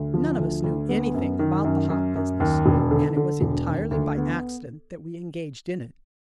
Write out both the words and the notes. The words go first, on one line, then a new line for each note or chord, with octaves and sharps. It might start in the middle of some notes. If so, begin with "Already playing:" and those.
None of us knew anything about the hop business, and it was entirely by accident that we engaged in it.
Already playing: D2
F3
D2
D2
B3
F#2
D#3
F#2
F#2
F#2
D#2
E1
D3
D3
E1
D#2
D2
B3